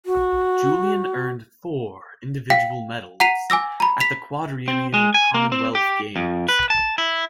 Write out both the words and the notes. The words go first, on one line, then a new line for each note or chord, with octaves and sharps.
Julien earned four individual medals at the quadrennial Commonwealth Games.
F#4
F5 G5 B6
F#5 A#5 B6 C7 D#7 F7
G#5 D6 E6 A#6
A#5 B5
B6 F7
C4
G#3
G#5
A#3
C4
G4
F2
B4
A5
E4